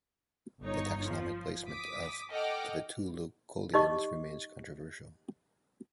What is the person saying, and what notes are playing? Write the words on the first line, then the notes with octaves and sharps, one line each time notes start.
The taxonomic placement of the Vetulicolians remains controversial.
G1 D#4 C#5
F3
D6 D#6 B6
A4 D#5 F#5 G5 D6 F6
D#4 G4 D#5 C#6 D6